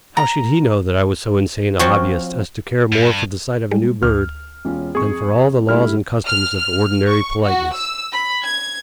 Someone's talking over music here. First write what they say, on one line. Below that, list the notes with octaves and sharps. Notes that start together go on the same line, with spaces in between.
How should he know that I was so insane a hobbyist as to care more for the sight of a new bird than for all the laws and customs of ordinary politeness?
A#5
F3 C4 F4 F#4 C#5
G2
G3 G#3
D2 F6
E1 C#4 F4
F2 G#4 C#6
D3 G3 A3 E4 F6
F6
F6
C#6
F#4
E6
B5
G#6